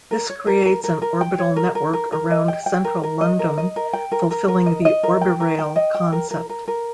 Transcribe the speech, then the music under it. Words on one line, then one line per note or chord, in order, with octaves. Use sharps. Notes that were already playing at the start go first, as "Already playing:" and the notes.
This creates an orbital network around Central London, fulfilling the Orbirail concept.
A#4
C#5
A#4
A#4
A#4
A#4
G5
C#5
A#4
A#4
A#4
A#4
D#5
G5
G5
A#4
A#4
D#5
A#4
D#5
A#4
G5
A#4
A#4
A#4
D#5
D#5
A#4
G5
A#4
G5
D#5
G5
A#4
A#4
A#4
A#4